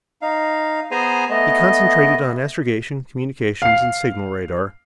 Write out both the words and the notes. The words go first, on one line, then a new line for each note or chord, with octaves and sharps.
He concentrated on astrogation, communications and signal radar.
D#4 F5
B3 G#4 C5 G#5 A#5
A3 B3 D#5
F5 C7